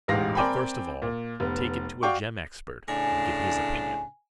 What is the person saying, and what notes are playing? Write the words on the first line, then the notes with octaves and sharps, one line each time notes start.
But, first of all, take it to a gem expert, and get his opinion.
E1 A1 G#2 G4 F5 A#6
C4 A#4 D5 G5 G#5 B5
A#2
F1 B3
F#4 D5 F5 G5 C#6
A2 C#3 D4 G#5